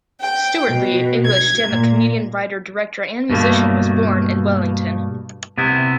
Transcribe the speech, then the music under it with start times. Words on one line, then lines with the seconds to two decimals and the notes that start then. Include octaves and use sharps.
Stewart Lee, English stand-up comedian, writer, director and musician, was born in Wellington.
0.20 G5
0.69 B2
1.27 G#6
1.67 A#2
3.30 G2 B2 A3 A#3
5.58 C3 B3 E4